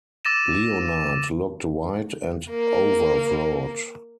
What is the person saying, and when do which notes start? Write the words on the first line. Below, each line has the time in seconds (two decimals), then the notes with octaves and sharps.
Leonard looked white and overwrought.
0.25 D6 E6 A6 A#6 D#7 E7
2.49 A#3 A#4